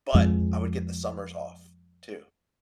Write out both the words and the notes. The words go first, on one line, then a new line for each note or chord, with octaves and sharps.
but I would get the summers off, too.
F2 F3 G#3